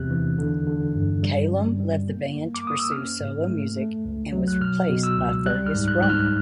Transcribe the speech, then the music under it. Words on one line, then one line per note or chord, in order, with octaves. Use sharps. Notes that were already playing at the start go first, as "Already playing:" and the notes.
Calum left the band to pursue solo music and was replaced by Fergus Romer.
Already playing: E2 C3 F#6
E3
D3
D3
G2
G3
C#4
G3
A#3
A#3
D6
A#3 D#6
E6
C#4 F6
G#2
A3
A3
C#2
F#3
F#6
B2 F6
B2
E6
C#2
G3 F#6
F6
G#2
F#6
G#2 F#6
F6